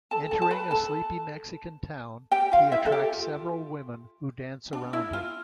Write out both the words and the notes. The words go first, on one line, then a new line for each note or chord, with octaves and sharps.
Entering a sleepy Mexican town, he attracts several women who dance around him.
A4 A5
A4 A5
A5
B4 B5
A4 A5
G4 G5
F4 F5
E4 E5
A4
G4
F4
D4
E4
F4